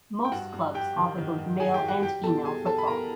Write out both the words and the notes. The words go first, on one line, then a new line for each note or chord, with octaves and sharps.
Most clubs offer both male and female football.
G5
G2 F#4 F#5
G2
G2 G4 G5
D#3
D#3
G2
F#3 G#4 G#5
G4 G5
F#3
F#4 F#5
G3 G4 G5
B2 A4 A5
G3 G#4 G#5
G3 A4 A5
B5
B2 A#4 A#5